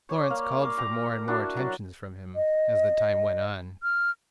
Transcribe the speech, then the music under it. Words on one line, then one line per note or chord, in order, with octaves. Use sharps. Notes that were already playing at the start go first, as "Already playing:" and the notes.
Florence called for more and more attentions from him as the time went on.
C#5 D5 C6
A#3 F5
A#4 C6 D6
G4 A#5 D6
D4 E4 F#4 D5
F#3
D#5
F6